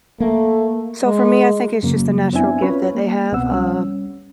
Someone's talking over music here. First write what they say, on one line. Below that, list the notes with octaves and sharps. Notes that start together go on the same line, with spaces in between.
So, for me, I think it's just a natural gift that they have, uh,
A3 A#3
G#3
F#2 C#3 F#3 A#3
B3 C4 D4 E4 E5 G#5
C#4 F4 B4 C#5
A#3
C2 B2 B3 C4 F#5 E6
G3 C#4